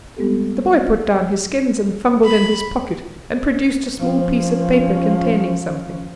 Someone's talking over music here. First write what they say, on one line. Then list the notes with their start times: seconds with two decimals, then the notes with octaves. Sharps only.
The boy put down his skins and fumbled in his pocket, and produced a small piece of paper containing something.
0.17 G3 G#3 B3 C4 G4 A4
2.25 B5
4.00 F3 C#4